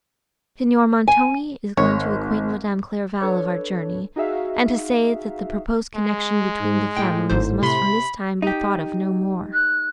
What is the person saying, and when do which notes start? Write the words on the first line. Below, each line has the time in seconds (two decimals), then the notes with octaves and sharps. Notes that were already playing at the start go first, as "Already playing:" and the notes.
Signor Montoni is gone to acquaint Madame Clairval of our journey, and to say, that the proposed connection between the families must from this time be thought of no more.'
1.08 G#5
1.77 G#1 C#5
3.21 D4 A4 B4 C#5
4.16 D#4 F#4 G#4 E5 F5
5.95 G#3
6.60 G#2
6.96 A2 G5
7.30 G#1 G#2 C5
7.63 C3 B5 C6
8.42 D#4 G4
9.53 F#6